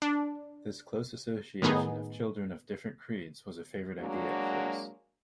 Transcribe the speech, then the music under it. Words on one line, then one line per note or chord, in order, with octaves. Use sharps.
This close association of children of different creeds was a favorite idea of his.
D4
A2 D#3 B3 D#4 G#4
F#3 G#3 A#3 D4 F#4